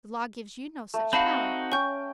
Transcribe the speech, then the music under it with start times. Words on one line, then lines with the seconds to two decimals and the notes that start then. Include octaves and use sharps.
The law gives you no such power.
0.94 A3
1.13 C4 D#4 F#4 F5 A5 B5
1.72 C#4 G5 C#6 G6